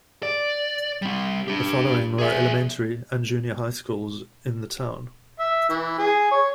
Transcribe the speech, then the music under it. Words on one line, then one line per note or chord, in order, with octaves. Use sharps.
The following were elementary and junior high schools in the town.
D5
G3 C4
D4 G4
G#4 E5
E5
E3
G#4
C#5